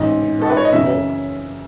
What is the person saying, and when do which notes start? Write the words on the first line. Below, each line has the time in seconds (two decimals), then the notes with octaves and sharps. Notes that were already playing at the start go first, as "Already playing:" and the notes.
He dropped more.
Already playing: A1 G#2 E3 D#5
0.42 A4
0.49 B4
0.57 C#5
0.65 D#5
0.73 F#2 C#3 E3 E5